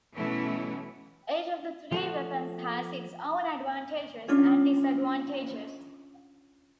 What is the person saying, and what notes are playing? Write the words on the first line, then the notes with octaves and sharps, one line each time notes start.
Each of the three weapons has its own advantages and disadvantages.
B2 E3 F#3 A3 C#4 E4
F3 A3 F#4
C#4 D4 F4 C#5